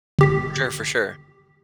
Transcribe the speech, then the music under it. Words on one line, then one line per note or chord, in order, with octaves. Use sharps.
For sure, for sure.
G1 G4 B6